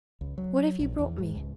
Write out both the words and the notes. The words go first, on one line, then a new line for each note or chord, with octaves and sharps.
What have you brought me?'
C#2
F#3
A#1
E2
G#2
C#2